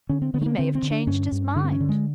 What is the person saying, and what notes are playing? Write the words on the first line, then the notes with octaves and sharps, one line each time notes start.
"He may have changed his mind."
D3 C#4
C4
D3 B3
A3
A#3
D3 C4
C4
D3
D4
G2 C#4
G2
D3 D4
C4
C#4
D3
G#3